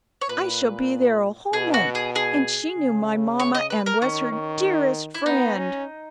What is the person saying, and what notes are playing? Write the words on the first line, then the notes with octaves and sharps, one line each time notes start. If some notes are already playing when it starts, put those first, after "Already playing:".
I shall be there a whole month, and she knew my mamma and was her dearest friend.
C#5
A#2 B4
B2 G#4
F#4
G#4
G#4
C#3
C#5
D#5
B4
A#4
D#3 C#4
D#3
E4
B3 D#4
C#4